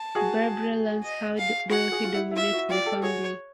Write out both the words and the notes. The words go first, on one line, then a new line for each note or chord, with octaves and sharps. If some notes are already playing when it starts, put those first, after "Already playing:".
Barbara learns how Dorothy dominates the family.
Already playing: A5
F#4 G#4
D#5
F5
F#4 G#4 F#5
F#4 G#4
F4
E4
E4
F4 E5
E4 F#4
F4 G4 D5
G4 A4
F#4 G#4 C#5